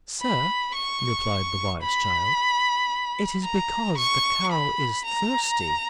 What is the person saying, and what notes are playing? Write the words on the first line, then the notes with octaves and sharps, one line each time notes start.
"Sir," replied the wise child, "it is because the cow is thirsty."
B5
C#6
B5
A#5
C#6
B5
A#5